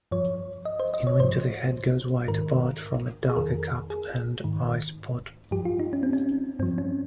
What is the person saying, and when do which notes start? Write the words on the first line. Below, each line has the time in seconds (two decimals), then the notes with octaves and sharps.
In winter, the head goes white apart from a darker cap and eye-spot.
0.11 G2 F3 C#5
0.65 D#5
0.80 C5
0.94 D#5
1.07 C#5
1.20 G#2 F3 C5
2.28 G#2 D#3 A#4
3.29 G#4
3.36 F2 D#3 A#4
3.90 G#4
4.44 G#2 D#3
5.51 G2 F3 G4
5.65 F4
5.79 D#4
5.93 C#4
6.03 C4
6.13 C#4
6.59 G2 F3 C4
6.78 C#4